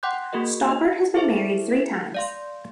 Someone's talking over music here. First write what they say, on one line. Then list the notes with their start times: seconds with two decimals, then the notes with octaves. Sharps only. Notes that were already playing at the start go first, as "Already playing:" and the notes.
Stoppard has been married three times.
0.03 F#5 G5 C6 D6 F#6 G6
0.33 A#3 F#4 G#4 A#4 D#5
0.68 D#5
1.15 E4 G#4 A4 C5 E5
2.14 D5 F5 C6